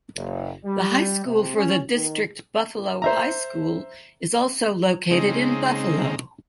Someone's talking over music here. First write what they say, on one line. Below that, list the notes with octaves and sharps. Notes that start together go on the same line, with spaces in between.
The high school for the district, Buffalo High School, is also located in Buffalo.
F#1
G3
C3
C#4
D#3
C5 E5 A#5
C#3 G#3 C4 D#4